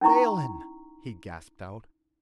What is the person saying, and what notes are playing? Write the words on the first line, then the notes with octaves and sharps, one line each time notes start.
"Phelan!" he gasped out.
C#4 D#4 E4 A#5 C#6